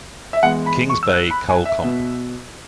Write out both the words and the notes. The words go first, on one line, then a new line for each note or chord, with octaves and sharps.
Kings Bay Kull Comp.
E5
E3 G#3 B3 F#5
B5
C#6
E6
F#6
B5
G#5
E5
B2 B3